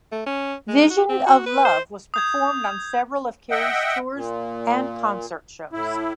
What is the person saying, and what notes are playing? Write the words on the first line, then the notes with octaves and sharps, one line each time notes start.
"Vision of Love" was performed on several of Carey's tours and concert shows.
A3
C#4
G#3
F#4
C4
F#4
B4
C5
D#6 G6 G#6
D#5 E5 F#5 G5
A#2
A2 E4